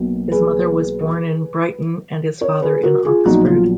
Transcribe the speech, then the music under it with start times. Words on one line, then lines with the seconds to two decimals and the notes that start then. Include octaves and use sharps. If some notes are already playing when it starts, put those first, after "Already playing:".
His mother was born in Brighton and his father in Oxford.
Already playing: B1 B2 A#3
0.32 G#4 B4
2.41 A#4 C#5
2.62 G#4 B4
2.83 F#4 A#4
3.05 F4 G#4
3.25 A#1 A#2 F#3 B3 D#4 F#4
3.46 F4